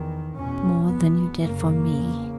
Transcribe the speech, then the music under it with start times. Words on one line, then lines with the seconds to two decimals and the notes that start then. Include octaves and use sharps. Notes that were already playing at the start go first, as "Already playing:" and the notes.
"More than you did for me?"
Already playing: E2 D#3
0.36 E2 B2 C#4
0.88 E2 B2 B3
1.41 F#2 C#3 A#3
1.94 E2 C#3